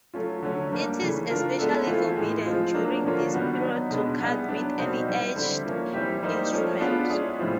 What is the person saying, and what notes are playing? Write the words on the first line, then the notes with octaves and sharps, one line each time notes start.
It is especially forbidden during this period to cut with any edged instrument.
F#3 A3 C#4 F4
D3 F#3 A3 C#4
G3 A#3 D4
C#3 E3 A3
A3 D4 F4 A#4
G#3 B3 E4 A4
E3 A3 C4 F4
A2 E3 G#3
F3 G#3 C4 F4
F#3 A#3 D4
D3 F3 A#3 C#4 F4
D#3 G3 B3 D4 F#4
F#3 B3 D#4
B2 G#3 B3 D4
G3 B3 E4 G#4
F#3 B3 D4
B2 G3 C4 D#4 F#4
G3 C4 E4
D3 G3 C4 E4 G4
F3 A#3 C#4
E3 G3 C4 E4 G4
G3 A#3 D#4 G4 C5
F3 A3 C#4
B3 D4 F4 G#4
G#3 C#4 E4 G#4 C#5
A2 E3 G3 C4 F4